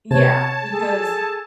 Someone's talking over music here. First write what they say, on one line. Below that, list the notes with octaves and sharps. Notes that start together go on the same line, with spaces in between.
Yeah, because
C3 C#5 A5 G#6
G#4 A4